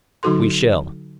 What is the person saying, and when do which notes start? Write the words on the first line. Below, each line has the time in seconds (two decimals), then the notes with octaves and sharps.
We shall.
0.23 D3 F#3 D#4 F#4 A4 C6